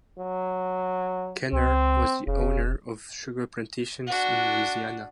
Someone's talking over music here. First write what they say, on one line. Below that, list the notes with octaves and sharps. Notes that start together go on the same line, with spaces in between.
Kenner was the owner of sugar plantations in Louisiana.
F#3
C#2 C4
F1 C#3
D4 F#4